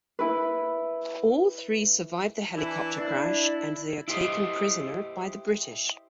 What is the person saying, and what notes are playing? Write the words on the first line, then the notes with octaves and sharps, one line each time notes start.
All three survive the helicopter crash, and they are taken prisoner by the British.
E4 B4
E3 D4 E4
D4 E4
E4 G4 C5 D#5